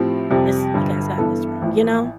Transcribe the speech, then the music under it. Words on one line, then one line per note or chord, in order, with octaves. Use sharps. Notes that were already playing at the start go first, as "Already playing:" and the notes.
This You guys got this wrong, you know?
Already playing: A2 F3 C4 G4
F2 C3 G3
G1 G2 D3
G2 E3 B3 E4 A4
A1 A2 F3